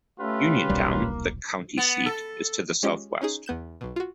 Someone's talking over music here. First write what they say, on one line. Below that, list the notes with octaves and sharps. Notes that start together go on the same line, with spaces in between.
Uniontown, the county seat, is to the southwest.
A3 C#4 F4 G4 B4
D#1 B1 G3 A#3
B3
A4
G#3 C#4 F4 G4 D#5
C#4 D#4 G#4
E2 B3 G6 E7
B1 B2
F4 F#4